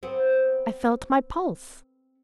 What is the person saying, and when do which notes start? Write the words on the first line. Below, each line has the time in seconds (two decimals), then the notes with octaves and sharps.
I felt my pulse.
0.03 B3 C4